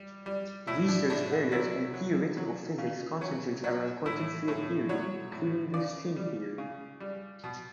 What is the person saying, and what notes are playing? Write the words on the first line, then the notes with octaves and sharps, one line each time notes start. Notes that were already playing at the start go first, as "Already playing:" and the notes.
Research areas in theoretical physics concentrate around quantum field theory including the string theory.
Already playing: G3
G3
A2 E4
D4
A2 D4
F#4
F#3 E4
F#3
F#3
C#3
F#3 C#4
F#3
A2 E4
A2
F#3 C#5
A2
C#3 D5
G3
C#3
G3
B2